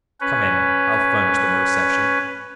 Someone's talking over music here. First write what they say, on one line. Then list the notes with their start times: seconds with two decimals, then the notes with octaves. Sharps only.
Come in; I'll furnish them a reception.
0.20 C#4 B4